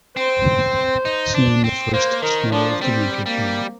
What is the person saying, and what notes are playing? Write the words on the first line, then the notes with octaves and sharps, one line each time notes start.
Soon the first snow of the winter came.
C4 C5
D#4
D4
C4
A#3 C5
D#3 A#4
F3 D4
G3 C4
G3 A#3